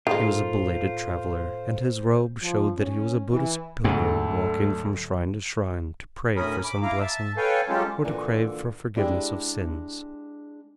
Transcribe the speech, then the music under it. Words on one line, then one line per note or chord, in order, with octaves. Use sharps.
He was a belated traveler, and his robe showed that he was a Buddhist pilgrim walking from shrine to shrine to pray for some blessing or to crave for forgiveness of sins.
A2 D#3 G#3 F4 A4 C5 A#5
F3
C#4
E3
D2 G#2 D3 F#3 A3 A4
D2 A2 C#4 A#4 B5 D#6
B5 D6
E4 F5 A#5 D6
E5 A5
A4 B4 C#5 F5 G5 G#5
F#3 G#3 C#4 F4 G4 A4
A#2 D3 E3 A#3
G#3 D4 E4 G4 G#4